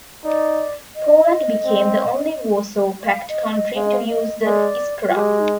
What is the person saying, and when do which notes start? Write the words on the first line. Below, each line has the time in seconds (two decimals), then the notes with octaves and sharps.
Poland became the only Warsaw pact country to use the Iskra.
0.24 D#4 D5
0.95 D#5
1.66 C4
3.05 F5
3.29 D#5
3.52 D#5
3.76 G#3 F5
3.83 D#5
3.93 F5
4.10 D#5
4.45 G#3 D5
5.09 F4
5.15 G#3 G4
5.40 D#4